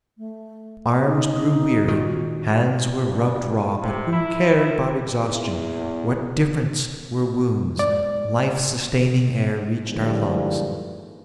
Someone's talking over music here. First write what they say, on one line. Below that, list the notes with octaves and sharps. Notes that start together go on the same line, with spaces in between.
Arms grew weary, hands were rubbed raw, but who cared about exhaustion, what difference were wounds? Life-sustaining air reached our lungs!
A3
D#4
A#2 D#3 F#4
G2
C3
E4
E2
G#2 D5
G#2 D3 E3 F3 G3 A#3